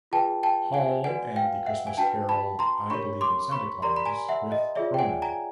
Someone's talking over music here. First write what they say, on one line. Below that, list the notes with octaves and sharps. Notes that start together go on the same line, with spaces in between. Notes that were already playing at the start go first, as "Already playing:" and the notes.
Hall and the Christmas carol "I Believe in Santa Claus" with Cronin.
F4 G#4 B4 G5 A5
G5 A5
F#5 G#5
F#4 B4 D5 F#5 G#5
F5 G5
E5 F#5
G#5
D4 F#4 B4 G5 A5
A5 B5
A#5 C6
D4 G4 A#4 C#5 B5 C#6
C6 D6
B5 C#6
G4 A#4 D5 A#5 C6
B5
G#5 A#5
E5 F#5
D#5
F4 G#4 C#5 D5 E5
G5
F#5 G#5
G#5 A#5